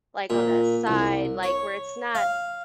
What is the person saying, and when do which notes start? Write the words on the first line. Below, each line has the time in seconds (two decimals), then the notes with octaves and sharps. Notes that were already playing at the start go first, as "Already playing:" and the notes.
like, on a side like, where it's not
0.30 A#2
0.87 C2
1.43 C#5
2.15 F5